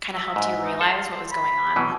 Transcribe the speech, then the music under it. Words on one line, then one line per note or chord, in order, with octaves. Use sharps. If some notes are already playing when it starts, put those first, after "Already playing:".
kinda helped you realize what was going on?
E5
G#2
D#4
A4 C6
B5
B2 E3 F#3